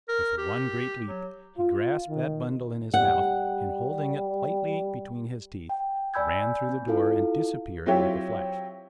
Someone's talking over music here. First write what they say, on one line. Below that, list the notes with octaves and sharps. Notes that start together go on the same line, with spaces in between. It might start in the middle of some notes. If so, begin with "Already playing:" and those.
With one great leap, he grasped that bundle in his mouth and, holding it lightly between his teeth, ran through the door and disappeared like a flash!
A#4
G4
F#3
F4
D#3
G3 F#5
G5
D5 G#5 B5 E6 G6 G#6
C4
E4 F4 A4 F5
F#3 C4 E4 F4 G4 C#5